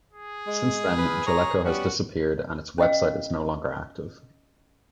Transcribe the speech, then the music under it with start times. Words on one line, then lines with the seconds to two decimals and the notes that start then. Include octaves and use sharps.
Since then, Jaleco has disappeared and its website is no longer active.
0.12 G#4
0.47 G#3
0.97 E2 B4
1.27 C#5 A#5
1.64 G3 B3 C#4 F#4
2.78 C#4 D#5 F5